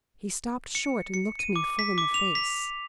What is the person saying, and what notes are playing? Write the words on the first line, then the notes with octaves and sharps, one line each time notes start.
He stopped short and looked me full in the face.
C#7
C#7
D#7
D6
B6
D6
F7
B6